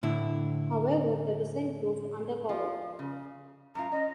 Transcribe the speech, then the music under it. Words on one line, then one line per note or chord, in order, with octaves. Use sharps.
However, the design proved underpowered.
A2 D3 E4
F3 F4
C#3
F#2 A2 F4 A#5
C#4 D#5